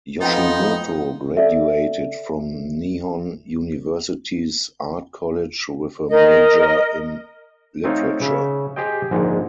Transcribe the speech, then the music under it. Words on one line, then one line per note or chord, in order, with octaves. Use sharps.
Yoshimoto graduated from Nihon University's Art College with a major in literature.
F2 B3 D#4 F4 D#5 F#5 G5
A4 D5 E5
A#4 D#5
A3 C4 D#4 F4 C#5
C#3 E5
G4 G#4 C5 D#5 G5
A#1 G#2 D3